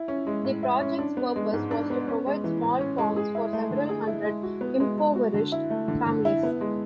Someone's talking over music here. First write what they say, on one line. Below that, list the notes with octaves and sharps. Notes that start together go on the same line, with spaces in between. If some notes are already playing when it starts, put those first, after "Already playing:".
The project's purpose was to provide small farms for several hundred impoverished families.
Already playing: E4
C#4
G#3
A2
E4
C#4
D4
B3
G#3
G#2
D4
B3
C#4
G#3
E3
A2
C#4
G#3
G#4
E4
A3
D3
G#4
E4
G#3
F#4
B3
G#3
G#3
F#4
D3
E4
A3
D3
D3
E4
B3
G#3